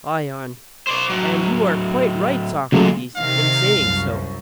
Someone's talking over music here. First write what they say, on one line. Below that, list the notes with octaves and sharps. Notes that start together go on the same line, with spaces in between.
ION: And you are quite right, Socrates, in saying so.
C5 D5
A2 F#3
A#2 C#3 F#3 G#3 A3
C3 D#3 F5
C2 F#2